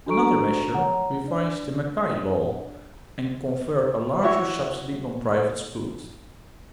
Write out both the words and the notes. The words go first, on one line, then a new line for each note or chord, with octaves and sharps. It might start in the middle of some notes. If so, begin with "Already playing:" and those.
Another measure revised the Mackay Law and conferred a larger subsidy on "private" schools.
D4 F#4 A4 A#5 C#6 D7
C#5 F#5 A#5
D4 D5
E4 F#4 C#5 E5